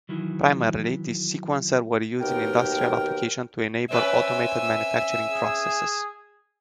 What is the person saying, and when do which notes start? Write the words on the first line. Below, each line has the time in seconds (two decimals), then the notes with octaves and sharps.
Primarily, these sequencers were used in industrial applications to enable automated manufacturing processes.
0.09 D#3 E3 F#3
2.21 D#2 B2 A#4 G5
3.91 C4 C#4 B4 E5 G#5 E6
5.31 G#4